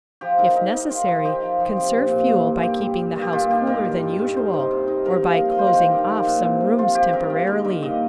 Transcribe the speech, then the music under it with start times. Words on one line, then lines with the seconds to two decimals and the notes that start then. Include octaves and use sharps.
If necessary, conserve fuel by keeping the house cooler than usual, or by "closing off" some rooms temporarily.
0.21 F3 G4
0.38 D#4 A#4
0.56 D#4
0.74 D#4
0.91 F4
1.08 F3
1.25 D#4 G4
1.43 F3
1.60 F3
1.77 C3
1.95 A#2
2.11 A#2
2.29 G2
2.47 A#3
2.63 G2 G4
2.81 G3
2.99 G3
3.16 G2
3.21 G4
3.33 A#2 F4
3.50 D#4 G4
3.67 G2 A#4
3.85 G2
4.02 G2
4.19 G2
4.36 D#4 C5
4.53 D#4
4.71 C3
4.88 D#4
5.05 G2 A#4
5.23 A#3
5.40 F3
5.51 D#5
5.58 F4 C5
5.67 A#4
5.74 D#3 G4
5.92 G2
6.09 F3
6.27 A#2
6.43 C3
6.61 C3
6.78 F3 F4
6.95 F4 G4
7.13 G2 A#4
7.30 A#3
7.47 D#3 A#4
7.65 G2 A#4
7.83 A#2 D#5